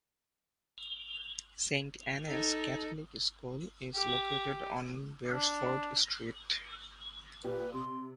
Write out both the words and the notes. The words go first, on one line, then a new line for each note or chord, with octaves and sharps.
Saint Annes Catholic School is located on Beresford Street.
D#4 A4
G4
D4
A#2 G4 B4
C3 C6